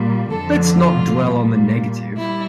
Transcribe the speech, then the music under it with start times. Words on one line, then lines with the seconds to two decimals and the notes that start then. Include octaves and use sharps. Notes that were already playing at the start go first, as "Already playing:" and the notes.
Let's not dwell on the negative.
Already playing: A#2 G3
0.30 F2 D3 F3 A4
0.77 F4
1.23 A#2 G3
2.17 G3 E4